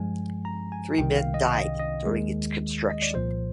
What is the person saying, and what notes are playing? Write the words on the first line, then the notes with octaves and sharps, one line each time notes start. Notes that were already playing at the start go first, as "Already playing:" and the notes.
Three men died during its construction.
Already playing: G2 F3 G#3 G#5
A#5
G#5
C2 C3 D#3 G5
F5
D#5
D#5
D#5
D#2 D#3 G#3
D#5
D5
C2 A#2 F3 C5